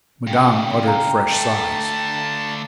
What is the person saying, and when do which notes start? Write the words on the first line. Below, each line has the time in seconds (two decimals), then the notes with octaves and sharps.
Madame uttered fresh sighs.
0.27 A#2 C#3 G5
0.85 F5 A#5
1.31 D3 A3 A5